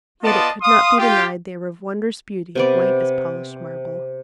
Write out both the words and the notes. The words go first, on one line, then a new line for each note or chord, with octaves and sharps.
Yet it could not be denied they were of wondrous beauty, white as polished marble.
B3 F4 D5 D#5 A5
F5 C6 D#6
F4 G4
C3 B3 D5